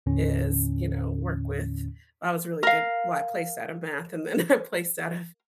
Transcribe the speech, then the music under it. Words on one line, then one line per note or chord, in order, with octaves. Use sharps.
is, you know, work with I was really good well, I placed out of math and then I placed out of
D#2 A2 D3 C#4
A#4 F5